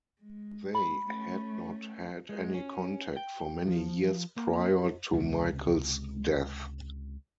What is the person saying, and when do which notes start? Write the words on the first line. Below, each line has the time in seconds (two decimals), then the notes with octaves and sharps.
They had not had any contact for many years prior to Michael's death.
0.22 G#3
0.75 B5
1.03 A3 C#4
2.29 G#3
2.54 C#4
3.17 G5
3.68 F3
4.37 A#3
5.13 C#2 C3 G#3